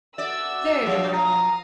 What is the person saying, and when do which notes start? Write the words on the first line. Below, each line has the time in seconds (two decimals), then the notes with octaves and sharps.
Very remarkable!'
0.18 F#4 A4 D5 E5 E6
0.82 B2 F3 D4 F5
1.13 F5 A#5 D#6